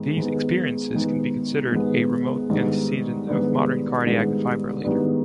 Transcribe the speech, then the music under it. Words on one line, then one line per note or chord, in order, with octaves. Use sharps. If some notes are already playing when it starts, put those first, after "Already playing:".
These experiences can be considered a remote antecedent of modern cardiac defibrillator.
Already playing: G#2 D#3 G#3 B3
G#2 D#3 G#3 B3
G#2 D#3 G#3 B3
G#2 D#3 G#3 B3
G#2 D#3 G3 B3 D4
G#2 D#3 G3 B3 D4
G#2 D#3 G3 B3 D4
G#2 D#3 G3 B3 D4